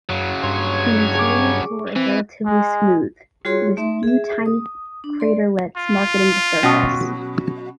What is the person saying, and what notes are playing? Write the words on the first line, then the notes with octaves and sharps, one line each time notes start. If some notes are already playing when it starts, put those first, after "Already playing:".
The interior floor is relatively smooth, with a few tiny craterlets marking the surface.
F#2 C#3 F#3
G2 C#5 C6 G#6
G#4 C#6 D6
E3 C4
G#3
G3 F4 F#4 G#4 C#5 C6
A3 D#4 E5 C6
G#4 E5
D#6
D4
D5 C6
F4
B2 F#3 C#4 F#4 D#6